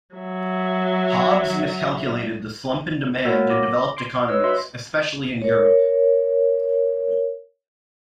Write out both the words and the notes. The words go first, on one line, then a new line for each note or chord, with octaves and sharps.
Hobbs miscalculated the slump in demand in developed economies especially in Europe.
F#3 E5
A#3 F#4 A#4 C#5 F#5 A6
D6 A#6
C6 C7 D7
B4 C#5 D#5 E6
F#4 B4 D#5 E5 C6 E6
A#4 C#5